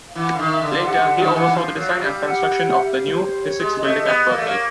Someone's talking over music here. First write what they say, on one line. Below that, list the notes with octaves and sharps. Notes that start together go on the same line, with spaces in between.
Later, he oversaw the design and construction of the "new" physics building at Berkeley.
F5
E3 F#5
D3 F5
D#3
E5
D3
F5
C3 F#5
D3
D#3 F#5
F5
E3 F#5
F3 F5
F#3
G3
F#5
E5
F5
C5
C#5
C5
C#5
G#3
D#5
A3
D#5
B3
D#5
A#3 D5
A3
A#3 C#5